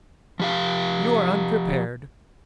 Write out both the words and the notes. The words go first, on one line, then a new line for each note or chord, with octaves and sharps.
You are unprepared.
F3 G4 F5